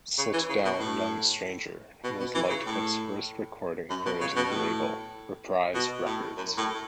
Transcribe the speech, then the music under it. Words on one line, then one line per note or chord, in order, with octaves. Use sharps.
"Sit Down Young Stranger" was Lightfoot's first recording for his new label, Reprise Records.
C#3
E3
C#3
B2
A2
B2
B2
E3
C#3
A2
F#2
B2
C#3
B2
A2
B2
A2
F#2
A2